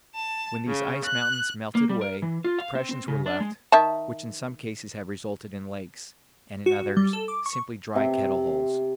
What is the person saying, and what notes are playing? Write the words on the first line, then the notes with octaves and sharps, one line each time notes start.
When these ice mountains melted away depressions were left which in some cases have resulted in lakes, and in others simply dry kettle holes.
A5
C#3
F#6
A#3
G3
A#4
E3
F4
F5
C4
C4
C#3
D4
G#3
D#3 E5 A5
F#4
G3
A4
D6
C#6
C3